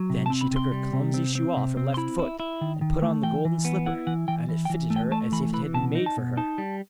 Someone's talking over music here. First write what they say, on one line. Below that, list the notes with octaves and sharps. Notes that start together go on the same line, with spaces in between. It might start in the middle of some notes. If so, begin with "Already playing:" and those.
Then she took her clumsy shoe off her left foot, and put on the golden slipper; and it fitted her as if it had been made for her.
Already playing: F#3
C3
A5
C4
B5
C3
C6
G3
C3
C4
C4
C3
C4
C6
E4 B5
E4
E4
D#3
D#3
A3
E3 G5
E3
B3
E4 F#5
E3 F#5
E3 G5
E3
G5
E3
A3
G5
A3 A5
E3 B5
E3 B5
B2 A5
D#4
A5
B2
D#4 A5
G3